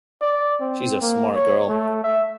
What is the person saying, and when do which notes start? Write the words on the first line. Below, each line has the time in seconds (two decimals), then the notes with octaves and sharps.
She’s a smart girl.
0.21 D5
0.60 C4
1.01 A#3
1.36 C#5
1.69 A3
2.04 E5